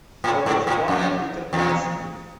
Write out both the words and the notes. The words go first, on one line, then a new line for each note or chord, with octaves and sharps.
Robert Kohn agreed and commissioned it.
A2
G#2
A2
F2
E2